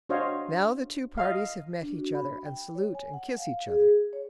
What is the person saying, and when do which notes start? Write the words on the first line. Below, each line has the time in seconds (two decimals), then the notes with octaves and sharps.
Now the two parties have met each other, and salute and kiss each other.
0.09 D4 F#4 C5 C#5 D#5 F5
1.18 D#5 F5
1.83 D4
1.98 F#4
2.15 B5
2.46 G5
2.75 C#5
2.95 G#5
3.14 F#5
3.38 F5
3.67 G#4
3.80 G#4
4.13 C#5